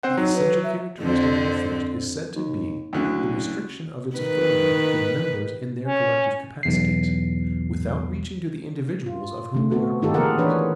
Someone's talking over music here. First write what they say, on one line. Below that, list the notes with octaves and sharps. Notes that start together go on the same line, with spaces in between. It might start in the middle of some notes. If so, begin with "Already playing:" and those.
The essential characteristic of the first is said to be, the restriction of its authority to the members in their collective capacities, without reaching to the individuals of whom they are composed.
C4 C5 F#5
F#3 D#4
B4
E5
F2 D3 C4
D#2
F#1 D2 D3
D#3 B4
C#4
B1 E2 C7
F4
D3 A3
B3 C4 F#4 A4
D#3 D#4 F4 G4 A4
F3 A#3 G#4 A#4 F#5
E3 F3 D4 B4 C#5